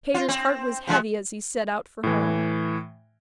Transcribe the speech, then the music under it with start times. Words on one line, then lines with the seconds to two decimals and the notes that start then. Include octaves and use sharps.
Peter's heart was heavy as he set out for home.
0.14 F4
0.29 C4
0.87 C3 F3 G#3
2.03 A2 E3